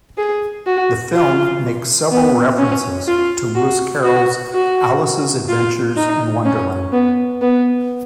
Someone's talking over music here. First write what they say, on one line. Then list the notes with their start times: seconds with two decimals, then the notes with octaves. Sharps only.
The film makes several references to Lewis Carroll's "Alice's Adventures in Wonderland".
0.18 G#4
0.67 F#4
1.15 F4
2.12 B3
2.59 C#4
3.08 F4
3.55 F#4
4.04 F#4
4.53 F#4
5.49 F4
5.97 D#4
6.45 C#4
6.93 B3
7.42 B3